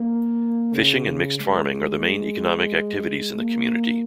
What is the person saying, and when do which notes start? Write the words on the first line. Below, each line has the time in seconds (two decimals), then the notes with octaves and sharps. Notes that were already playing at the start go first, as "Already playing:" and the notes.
Fishing and mixed farming are the main economic activities in the community.
Already playing: A#3
0.73 C#3
1.40 G#3
3.38 A#3